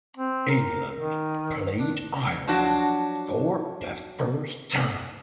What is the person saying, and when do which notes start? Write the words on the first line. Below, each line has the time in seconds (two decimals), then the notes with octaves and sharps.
England played Ireland for the first time.
0.17 C4
0.49 A#4
0.97 D#3
1.77 D4
2.47 F3 F#3 D4 F#4